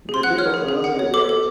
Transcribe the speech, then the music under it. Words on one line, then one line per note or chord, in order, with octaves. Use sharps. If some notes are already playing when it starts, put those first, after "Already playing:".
The tip of the muzzle is white.
G#4
C6
F#5 F#6
C#5 F6
G#4
G#4
F#5
C#5
A4 D6
A4